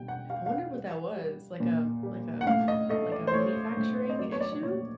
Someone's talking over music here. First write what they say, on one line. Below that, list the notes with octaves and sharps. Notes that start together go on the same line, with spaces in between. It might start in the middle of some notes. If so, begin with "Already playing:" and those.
I wonder what that was. Like, a like, a f like, a manufacturing issue
Already playing: B2 G3 G5
F#5
G3 F5
F5
F#5
G3
G3
A#2
G3
F#5
A2 F5
D#5
A3 D#5
D5
C5
A3 C#5
A2
D#5
F#3 D5
C#5
D5
D5
A#2 C#5